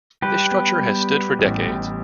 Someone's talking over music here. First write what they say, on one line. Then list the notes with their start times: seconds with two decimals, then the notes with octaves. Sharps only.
This structure has stood for decades.
0.22 G3 G4 B4
0.52 B3
0.80 G3
1.10 B3
1.39 A1
1.68 A1